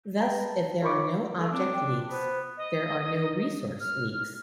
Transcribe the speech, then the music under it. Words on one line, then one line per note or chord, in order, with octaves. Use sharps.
Thus if there are no object leaks, there are no resource leaks.
B4 G5 A5 A#5
F4 A#4 C#5 B5 C#6 D6
A3 A4
C4 D4
G5
F4
B3 C5
D#5
F6